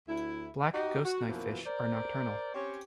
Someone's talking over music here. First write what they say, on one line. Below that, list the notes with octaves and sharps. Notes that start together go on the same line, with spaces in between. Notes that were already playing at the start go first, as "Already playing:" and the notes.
Black ghost knife fish are nocturnal.
D2 E4
D#4 F#4 G4 D#5
F#4
F#2 B2 E3 F3 A#3
A#4 C5 D5
C4 C#4 G4 C#5